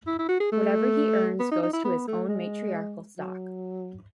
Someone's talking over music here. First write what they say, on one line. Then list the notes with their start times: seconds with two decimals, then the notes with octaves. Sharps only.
Whatever he earns goes to his own matriarchal stock.
0.07 E4
0.19 E4
0.29 F#4
0.40 G#4
0.52 A3
1.40 B3
1.52 D#4
1.63 D#4
1.73 E4
1.85 B3
2.08 A3
2.29 G#3
3.18 F#3